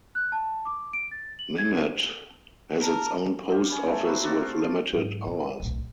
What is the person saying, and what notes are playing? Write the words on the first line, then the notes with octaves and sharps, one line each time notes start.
Minot has its own post office with limited hours.
F#6
A5
D6
D7
A6
F#7
G#6
A#4 A5
G4 F5
G3 C#4 C#5
G#3 A3
F#3 C4 B4 D6
C4 F4 F#4 D5
F5
G#2 F#3
D#2 C#3
D1 B1